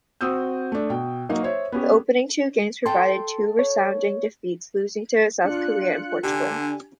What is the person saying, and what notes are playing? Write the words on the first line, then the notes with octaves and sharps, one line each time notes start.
The opening two games provided two resounding defeats losing to South Korea and Portugal.
C4 F#4 D#6 E6 G6
A3 D4
B2 G5
F#3 A#3 D#4 F#4
C5 C#5 E5
B3 C#4 G4
A4 G5 C6
C#5
D4 F4 F#6 C#7
D3 D4 G4 G#5